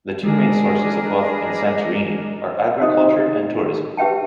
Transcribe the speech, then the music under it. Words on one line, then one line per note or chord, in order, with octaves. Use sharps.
The two main sources of wealth in Santorini are agriculture and tourism.
G#3 D4 G#4 A#4 D#5
D#4 C5 D#5 E5 D#6
G4 B4 E5 G5 A5